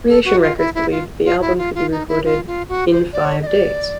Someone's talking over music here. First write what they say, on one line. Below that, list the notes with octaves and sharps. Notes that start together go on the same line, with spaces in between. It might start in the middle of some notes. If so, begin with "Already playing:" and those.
Creation Records believed that the album could be recorded "in five days".
A4
F#4
F4
E4
E4
F4
F4
E4
F4
F4
D#4
E4
F4
F4
F#4
C5
D5
C#5
D#5
D5